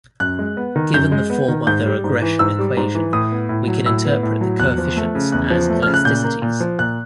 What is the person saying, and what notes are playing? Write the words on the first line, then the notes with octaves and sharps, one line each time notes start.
Given the form of the regression equation, we can interpret the coefficients as elasticities.
F#2 F#6
G#3
B3
D#3
F#2 G6
G#3
B3
D#3
G#2 G6
G3
G#2
E3
G#2 E6
G3
G#2
E3
A2 D#6
B3
A2
F#3
A2 E6
B3
A2
F#3
E2 F#6
F3
A3
C#3
E2 F#6
F3
A3
F6
C#3
F#6
A#2 G6
A#3
A#2
F3
A#2 F#6